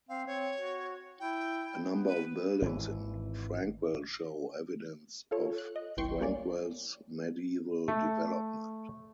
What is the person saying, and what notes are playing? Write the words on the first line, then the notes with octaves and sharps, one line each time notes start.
A number of buildings in Frankwell show evidence of Frankwell's medieval development.
C4 F5
C4 C#5
F#4
E4 G5
B3
B4
G#1 E3
F4 A4 C#5
F#6
D#5
G1 C2 E3 G5 C6 C#6
G3 A#3 C#4 D5
A3